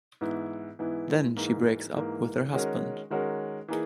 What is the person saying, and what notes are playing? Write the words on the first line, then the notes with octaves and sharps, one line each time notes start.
Then she breaks up with her husband.
G#2 E3 B3 E4
G#2 E3 B3 E4
G#2 E3 A#3
G#2 E3 A#3
D#3 G#3 C#4 F#4 A#4
D#3 G#3 C#4 F#4 A#4
E3 A#3 D#4 G#4